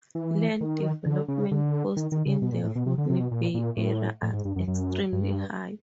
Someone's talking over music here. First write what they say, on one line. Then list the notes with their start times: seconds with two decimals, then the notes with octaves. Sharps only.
Land development costs in the Rodney Bay area are extremely high.
0.15 E3
0.61 D#3
1.06 D3
1.28 C#3
1.51 D3
1.97 D#3
2.12 D#3
2.26 C#3
2.42 B2
2.52 A#2
2.64 A2
2.75 B2
2.86 C3
2.98 D3
3.10 C3
3.20 B2
3.31 A#2
3.54 A#2
3.77 A2
4.23 A2
4.34 G#2
4.45 G2
4.56 F#2
4.68 F#2
5.13 G2